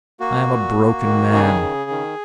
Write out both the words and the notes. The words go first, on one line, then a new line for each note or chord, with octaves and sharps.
I am a broken man.
A#3 F#4
A#2
A#3
D#3
C#3 G#4
C#3
D#3